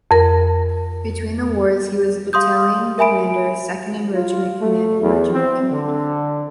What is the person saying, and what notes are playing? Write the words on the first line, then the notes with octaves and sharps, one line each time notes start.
Between the wars he was battalion commander, second in regiment command and regiment commander.
F2 A#4
F5 C6 D#6 G6
A#4 E5 G#5 B5 D7
F4
A3
E2
C4
D3